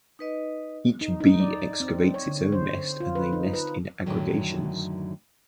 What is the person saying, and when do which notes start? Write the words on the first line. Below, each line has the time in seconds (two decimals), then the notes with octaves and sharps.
Each bee excavates its own nest and they nest in aggregations.
0.19 D#4 B4 D#5
1.01 D#4
1.20 D#4
1.40 D5
1.80 C4
2.14 C#5
2.26 D3
2.52 C5
3.00 F4
3.15 B4
3.33 D#4
3.53 B4
4.06 F#2 A2 D3 D#3 F#3